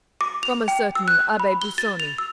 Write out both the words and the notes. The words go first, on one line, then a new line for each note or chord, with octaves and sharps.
"From a certain Abbe Busoni."
D6
F7
G5
E6
F#6
B5
G7
A6
F7
E6